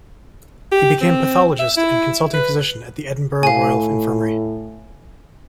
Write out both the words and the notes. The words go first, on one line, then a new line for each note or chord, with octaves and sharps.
He became Pathologist and Consulting Physician at the Edinburgh Royal Infirmary.
G4
C4
E5
E4
B4
A2 F5 G#5